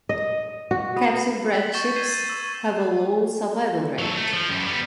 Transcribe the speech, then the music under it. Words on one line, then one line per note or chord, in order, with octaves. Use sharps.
Captive-bred chicks have a low survival rate.
D#5
F#4
B3
E6 B6 F#7
C#6 G6 A6 B6 E7 G7
G6 G#6 C7 D#7 E7
C#6 E6
F#3 A4
A3
F3
F#2 G3
G3 B3